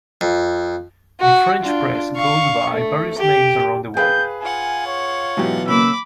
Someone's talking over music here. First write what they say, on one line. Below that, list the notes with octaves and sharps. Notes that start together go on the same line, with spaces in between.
The French press goes by various names around the world.
F2
F#4
D4 F4
F5 C#6
A3
G4
G#4 B4 F5 G5 G6
F4 F#5 G#5
C#5
G#2 B2 E3 F#3 G4
C#3 A#3 B5 D6 E6